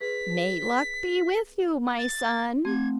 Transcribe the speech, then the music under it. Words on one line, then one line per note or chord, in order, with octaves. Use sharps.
'May Luck be with you, my son.
G#4 B4 B6
A6
A3 C4 G#6